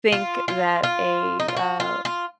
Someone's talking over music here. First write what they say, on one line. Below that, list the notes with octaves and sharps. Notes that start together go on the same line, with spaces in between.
think that a, uh,
F4
F4
F4
D#4
F4
F#4
F4
F4